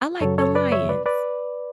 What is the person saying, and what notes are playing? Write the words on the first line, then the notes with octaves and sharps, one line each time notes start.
I like the Lions.
F#2 C#3 F#3 A4 C#5
A4 C#5
B4 D5
C#5 E5
B4 D5
B4 D5